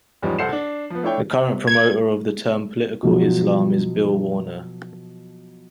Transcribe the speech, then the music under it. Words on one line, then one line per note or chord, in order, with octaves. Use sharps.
The current promoter of the term Political Islam is Bill Warner.
E2 G#2 F3 G3 C#4
C2 A4 C5 F#5 C7 E7
D4
F3 B3
A3 D4 E4 C#5 G5
G#6
B2 F3 F#3